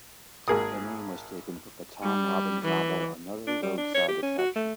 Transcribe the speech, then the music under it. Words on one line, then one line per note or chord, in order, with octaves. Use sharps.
The name was taken from the Tom Robbins novel "Another Roadside Attraction".
G#1 A#3 G#4 A#4 D#6
G3
E3
D4
G3
D4
C#5
G4
C#4
F#4
A3